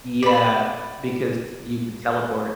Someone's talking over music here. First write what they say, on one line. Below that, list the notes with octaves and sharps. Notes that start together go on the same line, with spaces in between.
Yeah. Because you could teleport
D5 B5